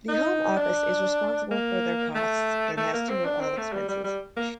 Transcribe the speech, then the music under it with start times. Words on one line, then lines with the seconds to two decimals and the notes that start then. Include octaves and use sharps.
The Home Office is responsible for their costs, and has to note all expenses.
0.08 D#4
0.56 D4
1.51 A#3
2.15 A3
2.77 A3
2.93 A#3
3.09 C4
3.25 D4
3.41 C4
3.57 A3
3.73 G3
3.88 G3
4.04 G3
4.36 A#3